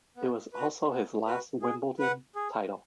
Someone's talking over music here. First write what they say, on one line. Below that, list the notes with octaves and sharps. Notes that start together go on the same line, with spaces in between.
It was also his last Wimbledon title.
B3
F#4 B4
B3
F#4 B4
G#4
B4 F#5
G#4